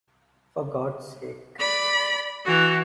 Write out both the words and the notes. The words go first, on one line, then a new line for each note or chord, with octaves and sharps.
For God's sake.
D5 B5
E3 F#4